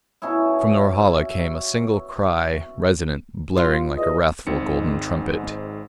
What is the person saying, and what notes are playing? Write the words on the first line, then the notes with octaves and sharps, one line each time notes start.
From Norhala came a single cry--resonant, blaring like a wrathful, golden trumpet.
B2 C#4 D#4 E4
F4
E2 D#5
G#1 G#2 C4 D#4 C#7